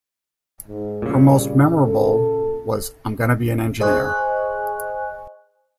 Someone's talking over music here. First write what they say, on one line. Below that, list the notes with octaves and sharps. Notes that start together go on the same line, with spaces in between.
Her most memorable was "I'm Gonna Be an Engineer".
G#2
A#2 C#3 G3
A4
G#4 C5 D#5 G#5 C#6 F#6